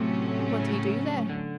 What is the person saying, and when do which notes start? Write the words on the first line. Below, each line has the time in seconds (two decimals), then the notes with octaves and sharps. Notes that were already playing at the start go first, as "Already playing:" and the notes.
"What do you do there?"
Already playing: A2 C3 F#3 A3 C#4
0.60 C#3
1.30 D3